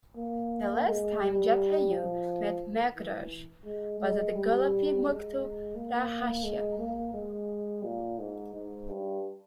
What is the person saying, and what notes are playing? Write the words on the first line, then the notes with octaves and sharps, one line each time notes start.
The last time Jatayu met Meghraj was at Golapi Mukto Rahashya.
A#3
G#3
G3
F3
E3
G#3
G#3
G3
G#3
A#3
G#3
A#3
G#3
A#2
G#2
G#2
G2